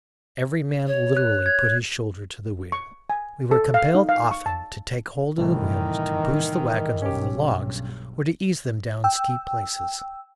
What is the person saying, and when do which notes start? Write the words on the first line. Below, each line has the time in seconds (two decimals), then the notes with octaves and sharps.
Every man literally "put his shoulder to the wheel." We were compelled often to take hold of the wheels to boost the wagons over the logs or to ease them down steep places.
0.87 C#5
1.17 F#6
1.46 G#6
2.72 C#6
3.10 G#5
3.51 A4
3.74 F5
3.95 D#4
4.09 F5
4.31 C#6
4.46 A5
5.38 C2 A2 D#3 E3
7.02 B1 G2 C#4 G4
9.04 G5 E6